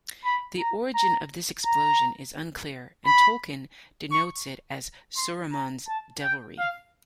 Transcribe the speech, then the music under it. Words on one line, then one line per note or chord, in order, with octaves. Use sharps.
The origin of this explosion is unclear and Tolkien denotes it as "Saruman's devilry".
B5
A#5
A#5
A#5
B5
C#6
C6
A#5
A5
G5
F5